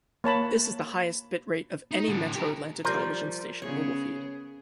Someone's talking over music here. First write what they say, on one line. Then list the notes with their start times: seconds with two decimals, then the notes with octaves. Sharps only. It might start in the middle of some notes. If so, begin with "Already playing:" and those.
This is the highest bitrate of any Metro Atlanta television station mobile feed.
0.24 A#3 C#5 A5 B5
1.91 D#4
2.08 A2 D3
2.35 G4 A#4
2.84 F3 G3 A#4 C5
3.62 C#3 B3 G#4 C#5